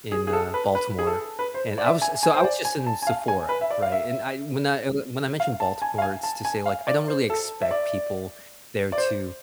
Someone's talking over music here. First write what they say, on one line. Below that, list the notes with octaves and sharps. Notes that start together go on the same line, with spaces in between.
in, uh, Baltimore, and I was so I was just in Sephora, right, and I when I, eh, when I mentioned Baltimore, it's to say, like, I don't really expect people there to
G#4
G#4
A4
B4
B4
G#4
A4
B4
C5
D5
E5
G#5
G#5
C5
D5
G#5
A5
G#5
F5
G#5
B4
E5
D5
F5
E5
F5
A5
G#5
F5
G#5
A5
G#5
F5
D5
C5
A4
E5
D5
D5
C5